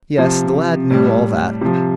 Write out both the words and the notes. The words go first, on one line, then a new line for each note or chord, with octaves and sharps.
Yes; the lad knew all that.
C3 F3
A2 G3
C3 F3